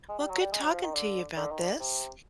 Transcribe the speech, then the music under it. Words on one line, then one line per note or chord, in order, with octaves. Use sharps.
Well, good talking to you about this.
G#3
G3
F#3
G3
G#3
F#3
F3
D#3
D3
D3
D#3
D3
C3